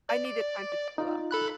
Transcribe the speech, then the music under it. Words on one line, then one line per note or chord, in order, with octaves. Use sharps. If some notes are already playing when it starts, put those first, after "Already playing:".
I needed time to cool off.
D5
D#4 F4
A4 B5 F#6